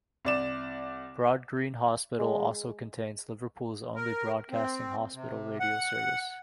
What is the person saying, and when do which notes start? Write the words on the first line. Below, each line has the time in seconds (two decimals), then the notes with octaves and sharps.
Broadgreen Hospital also contains Liverpool's only broadcasting hospital radio service.
0.25 C2 D5 E7
2.19 G#3
3.95 A#4
4.50 C4
5.14 C3
5.60 F#5